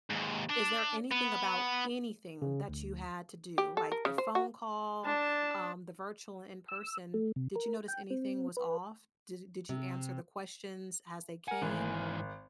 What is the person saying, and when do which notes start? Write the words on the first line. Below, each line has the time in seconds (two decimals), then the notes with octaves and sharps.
Is there anything about anything that you had to do? Like the phone call, um, the virtual in-person, did you notice anything was off? Did did you answer the questions as they came?
0.10 D#2 G#2
0.50 D4
1.11 B3
2.42 C#3
2.69 D2
3.58 G4
3.77 A4
3.92 A#4
4.05 C#3
4.18 C5
4.35 F#4
5.05 D4 A5
6.69 E6
7.14 A3
7.36 C3
7.56 A#4
7.88 G5
8.11 C4
8.57 B4
9.69 C3
11.48 A#4 F#5 G#5
11.62 G#1 G#2 E3